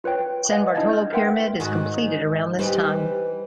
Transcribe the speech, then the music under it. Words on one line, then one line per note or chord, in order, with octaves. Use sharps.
San Bartolo pyramid is completed around this time.
F4 B4 C#5 G5
B4 D5 D#5 F5 F#5 G#5
D4 E4 D#5 A5 G#6 A6
F6 G6
A#4 B4 E5 F#5 G5 C6
G#2 D#3 F#4
E3 G3 D#4 G4 B4 C5